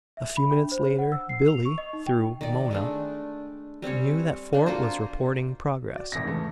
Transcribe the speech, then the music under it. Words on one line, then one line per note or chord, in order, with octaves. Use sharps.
A few minutes later Billie, through Mona, knew that Fort was reporting progress.
E5
B5
D4
C5
F#5
E6
C7
F7
C#6
D#5
D#4
G5
D#3 D5
G#3 A3 D4
G3 C4 C#4 C#5
A#3 D4
A#3 F4 F#4 C5
F#4 D5
G#1 C3 E5 A#6
E2 G#2 C#3 E3 A3